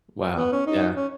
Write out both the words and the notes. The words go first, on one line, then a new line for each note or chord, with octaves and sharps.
Wow, yeah.
B3
C#4
D#4
C#4